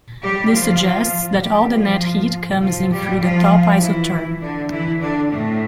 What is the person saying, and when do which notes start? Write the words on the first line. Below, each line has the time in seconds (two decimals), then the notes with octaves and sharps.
This suggests that all the net heat comes in through the top isotherm.
0.22 G3 G4
0.52 F3 F4
1.42 G3 G4
1.72 F3 F4
2.61 F3 F4
2.91 G3 G4
3.21 F3 F4
3.81 E3 E4
4.40 D3 D4
4.70 E3 E4
5.00 D3 D4
5.30 A2 A3